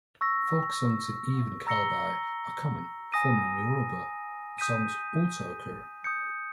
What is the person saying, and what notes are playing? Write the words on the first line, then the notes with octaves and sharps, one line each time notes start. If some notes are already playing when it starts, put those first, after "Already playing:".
Folk songs in Ewe and Kabye, are common, Fon and Yoruba songs also occur.
C#6 E6 A#6
A#5 E6 A#6 C#7 G7
G#5 D#6 A#6 D#7
D#6 G6 B6 D#7
D#6 G6 C#7